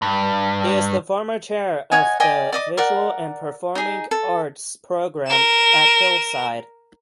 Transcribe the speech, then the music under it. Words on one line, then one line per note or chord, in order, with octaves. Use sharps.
He is the former Chair of the visual and performing arts program at Hillside.
G2
C#5 D#5 F#5 G#5
D5 D#5 G5 G#5
D5 D#5 D6
A#4 D5 F#5
D#4 G#4
A4
A#4 E7